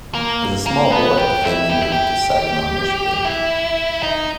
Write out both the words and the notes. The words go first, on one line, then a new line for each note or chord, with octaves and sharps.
As a small boy the family moved to Saginaw, Michigan.
A#3
A#3
B3
G4
E4
G4
E4
G4
E4
D#4